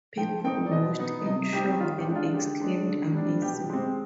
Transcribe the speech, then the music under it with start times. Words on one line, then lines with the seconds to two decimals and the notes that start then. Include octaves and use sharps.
People watched in shock and exclaimed: Amazing!
0.17 F3 G5
0.45 C4 D#4 G5
0.66 D5
0.71 B2 D#5
0.99 B3 D#4
1.26 C3 D#5
1.53 G3 C4 D#4 G4
1.80 D#3 F4
1.98 G4
2.07 G#3 D4
2.15 F4
2.33 D3 G4
2.61 G#3 D4
2.88 D3
3.15 G3 D4
3.42 B2 G4
3.69 G#3 C4 G4